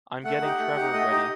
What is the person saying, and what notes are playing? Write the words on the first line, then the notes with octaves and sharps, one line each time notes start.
I’m getting Trevor ready!
A3 F#5
D#4 G4
A3
D#4 G4
A3 D#5
D#4 G4